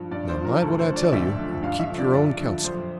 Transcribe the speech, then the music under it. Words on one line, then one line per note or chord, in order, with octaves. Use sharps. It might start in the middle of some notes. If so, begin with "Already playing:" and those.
Now, mind what I tell you, and keep your own counsel.'
Already playing: G2 F3
G2 D5
C5
F3
A#4
D2 A4
C5
D3 F3
D5
D2 E5
D3 F3
G2 F5
E5
D3 F3
D5
G2 D5
D3 F3
F2 C5